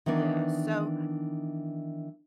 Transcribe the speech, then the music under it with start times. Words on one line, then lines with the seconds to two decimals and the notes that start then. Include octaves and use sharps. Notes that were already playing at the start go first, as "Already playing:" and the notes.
Yeah, so,
0.06 D#3 E3 B3 D4 D#4